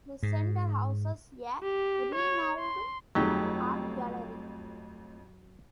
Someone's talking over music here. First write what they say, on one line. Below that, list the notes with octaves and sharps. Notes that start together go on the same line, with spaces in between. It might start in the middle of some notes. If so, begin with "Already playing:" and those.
The Centre houses a renowned art gallery.
G#2
G4
C#5
C6
G1 F2 F#3 G3 A3 D#4 G4 G#4